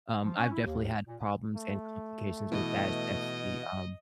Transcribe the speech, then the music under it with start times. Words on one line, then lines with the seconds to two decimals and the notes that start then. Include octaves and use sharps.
um, I've definitely had problems and complications with that, it's definitely, um,
0.24 F3
0.37 C#4
0.52 E4
0.64 D#2
1.07 A#2
1.56 A3
2.52 B2 E3 D#5